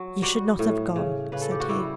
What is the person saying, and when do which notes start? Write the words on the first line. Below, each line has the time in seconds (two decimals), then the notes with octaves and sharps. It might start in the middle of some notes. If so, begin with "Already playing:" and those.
"You should not have gone," said he.
Already playing: F#3
0.22 G3 F#4
0.59 A2
0.96 C#3
1.32 C#3 B4
1.41 A4
1.51 G4
1.60 F#4
1.69 G3 E4